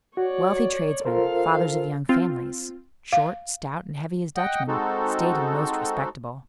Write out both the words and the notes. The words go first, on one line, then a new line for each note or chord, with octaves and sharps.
Wealthy tradesmen, fathers of young families, short, stout, and heavy as Dutchmen, staid and most respectable.
F#4 C#5 D5
F4 A4 A#4 C5 F5
C4 F4
F5
D#5 F#5 G5
G#3 C4 D#4 F#4 A4